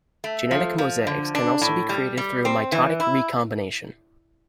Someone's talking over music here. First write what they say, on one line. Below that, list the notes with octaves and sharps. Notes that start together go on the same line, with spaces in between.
Genetic mosaics can also be created through mitotic recombination.
A3
F3
F3
D3
D4
A2
G3
G3
C4
E3
E4